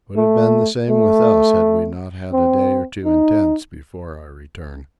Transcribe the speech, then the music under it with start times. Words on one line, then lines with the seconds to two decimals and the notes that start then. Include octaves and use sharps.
It would have been the same with us had we not had a day or two in tents before our return.
0.17 A3
0.90 A3
2.33 C4
3.05 D#4